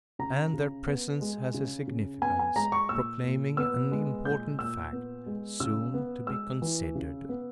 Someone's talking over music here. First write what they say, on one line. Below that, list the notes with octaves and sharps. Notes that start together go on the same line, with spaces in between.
And their presence has a significance, proclaiming an important fact, soon to be considered.
C#3 A#5
C#3
B3
G#3
C#3
C#3
B3 G#5
G#5
G#3 A#5
C#6
A#2 E6
A#2
B3 E6
G#3
A#2 G6
A#2 E6
B3
G#3
C#3 E6
B3
G#3 E6
E3
C#3
B3